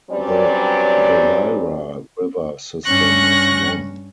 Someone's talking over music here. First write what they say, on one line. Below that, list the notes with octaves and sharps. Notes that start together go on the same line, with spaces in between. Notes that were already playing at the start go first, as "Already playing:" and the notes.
The Valira river system is long.
G2 F#3 G3 C4 C#4 D5
G2 C#4 C#6 F#6 A#6